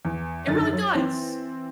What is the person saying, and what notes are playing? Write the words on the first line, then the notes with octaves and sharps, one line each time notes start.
It really does.
E2
F#2 D3 D#3 A6
F#3
E3 C4